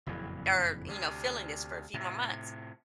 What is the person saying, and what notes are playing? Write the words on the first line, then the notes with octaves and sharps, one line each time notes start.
or you know feeling this for a few more months,"
F#1 F2 A#2 E3
D2 C3
A2 C3